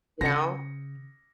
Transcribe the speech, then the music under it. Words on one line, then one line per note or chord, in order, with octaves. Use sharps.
you know?
C#3 A#6 C#7